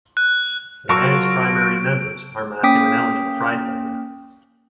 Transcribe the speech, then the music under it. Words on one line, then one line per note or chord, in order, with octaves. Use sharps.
The band's primary members are Matthew and Eleanor Friedberger.
F#6
F#3 F4 F#4 A#4 A5 C#6 E6 D7
A#3 C#4 G5 D6 D#6 B6